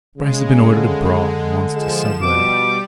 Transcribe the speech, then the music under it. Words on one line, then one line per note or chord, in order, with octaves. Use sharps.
Bryce has been ordered abroad, and wants to sublet it.
C#3 G#3
D3
F3 G#3 E7
B2 G3 D6